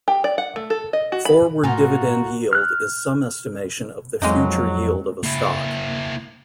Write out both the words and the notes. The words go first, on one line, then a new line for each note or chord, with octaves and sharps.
Forward dividend yield is some estimation of the future yield of a stock.
G4
D5
F#5
A3
A4
D#5
F#4
B5
A2 D#4 F4 F#4 A#4 F#5 G#5
F6 F#6
F2 F#3 G#3 A#3 D#4
A#3 E4